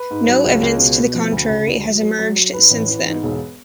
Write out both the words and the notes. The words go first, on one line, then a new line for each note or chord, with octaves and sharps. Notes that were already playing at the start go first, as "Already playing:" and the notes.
No evidence to the contrary has emerged since then.
Already playing: B4
G#2
F#3
C#2
C#2
B2
B2
F3
D2
C#3
D2
F#3
F#3
F#3
F#3
G#2 B4
A1
E3
G#2
E1